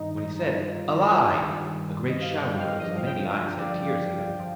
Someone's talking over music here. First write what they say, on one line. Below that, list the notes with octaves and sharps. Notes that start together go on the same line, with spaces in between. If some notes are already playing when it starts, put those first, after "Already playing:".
When he said ‘Alive!’ a great shout arose and many eyes had tears in them.
Already playing: G2 D#3 D#4
D#4
F4
G2 D#3
D#5
F5
G5
F5
G2 D3 F3 D#5
F5
G5
D5
F3